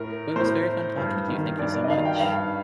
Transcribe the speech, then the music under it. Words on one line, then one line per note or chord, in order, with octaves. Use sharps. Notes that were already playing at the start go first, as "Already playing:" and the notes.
but it was very fun talking to you, thank you so much.
Already playing: A2 A#4
A2 C5
G2
D#3
G2 D5
D5
D#5
D#3 F5
G5
G2 F5